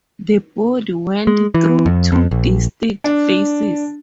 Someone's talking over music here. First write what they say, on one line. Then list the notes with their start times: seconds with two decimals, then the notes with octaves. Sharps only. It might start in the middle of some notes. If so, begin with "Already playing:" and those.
The body went through two distinct phases.
1.27 G#3
1.54 E3
1.86 F2
2.12 F2
2.31 A#1
3.04 D4